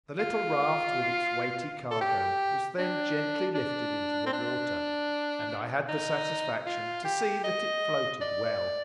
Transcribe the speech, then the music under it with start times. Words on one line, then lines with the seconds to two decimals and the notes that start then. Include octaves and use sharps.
The little raft with its weighty cargo was then gently lifted into the water, and I had the satisfaction to see that it floated well.
0.19 F4
1.91 A4
2.01 G4
2.78 D4
3.55 D4
4.26 C4
4.33 D4
5.88 D#4
6.66 F4
7.05 G4
7.44 D#5
8.21 D5